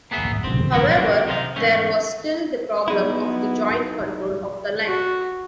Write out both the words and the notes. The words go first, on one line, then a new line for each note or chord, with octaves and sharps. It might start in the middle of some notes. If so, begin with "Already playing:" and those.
However, there was still the problem of the joint control of the line.
A#3 B3 G#4 E5
C4
E3 C4 C#4 E4 A#4 C#5
F#3 G#3 A#3 C4 D4 F#4
C3 D#3 F3 C4 D#4 F5
E2 G#2 A3 C#4
F#3 B3 D#4 E4
F#4